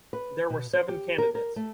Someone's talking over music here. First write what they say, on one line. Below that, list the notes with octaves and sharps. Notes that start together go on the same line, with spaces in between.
There were seven candidates.
B4
B2
C5
G4
A#4
A#4
A3